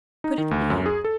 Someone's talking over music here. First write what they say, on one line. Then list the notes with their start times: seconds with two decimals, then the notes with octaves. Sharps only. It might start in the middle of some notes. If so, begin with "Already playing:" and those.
Could it be?
0.24 D#4
0.38 D#3
0.51 D2
0.70 F#2
0.86 G#4
1.04 A4